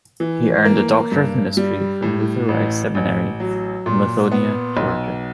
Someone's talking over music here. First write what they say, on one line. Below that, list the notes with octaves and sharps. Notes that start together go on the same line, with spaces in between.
He earned a Doctor of Ministry from Luther Rice Seminary in Lithonia, Georgia.
E3
A#3
G2
G3
A2
A1
A1
F#3
A#2
B3
B1